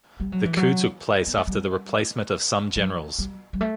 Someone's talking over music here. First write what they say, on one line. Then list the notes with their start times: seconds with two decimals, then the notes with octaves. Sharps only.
The coup took place after the replacement of some generals.
0.20 G3
0.32 F#3
0.45 E3
0.57 F#3
1.27 B3
1.37 A3
1.47 G3
2.76 F#3
3.19 G3
3.53 G3
3.61 A3